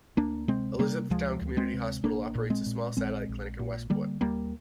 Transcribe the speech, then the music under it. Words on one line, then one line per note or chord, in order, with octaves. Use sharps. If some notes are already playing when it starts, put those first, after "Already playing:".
Elizabethtown Community Hospital operates a small satellite clinic in Westport.
D2 A#3 D4
C3 G#3 C4
C3 G3 A#3
D2 F3 G#3
D2
G#3 C4
C3
A#1 A#3 D4
A#2
G#3 C4
A#2
A#1 G#3 C4
A#1
A#2
D3 G3 A#3
D#2 G3 A#3